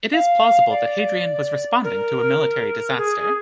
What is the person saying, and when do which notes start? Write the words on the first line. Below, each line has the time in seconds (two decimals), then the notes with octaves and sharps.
It is plausible that Hadrian was responding to a military disaster.
0.13 F5
0.69 D5
1.84 A#4
2.97 G#4
3.17 G#4